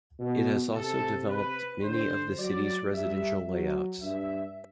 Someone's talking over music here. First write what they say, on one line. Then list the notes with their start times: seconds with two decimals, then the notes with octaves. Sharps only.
It has also developed many of the city's residential layouts.
0.20 B2
0.74 C3 A4
1.29 B4
1.83 D3 C5
2.38 F#3 D5
2.93 G3 E5
3.48 F#3
4.02 G2 E5